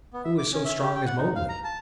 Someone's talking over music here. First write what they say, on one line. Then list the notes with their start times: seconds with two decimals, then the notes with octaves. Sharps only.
Who is so strong as Mowgli?
0.13 B3
0.24 E5
0.38 D6
0.52 C#4
0.65 E5
0.82 G4
0.95 G5
1.06 F#5
1.18 D#4
1.36 F5
1.49 A#5
1.64 A5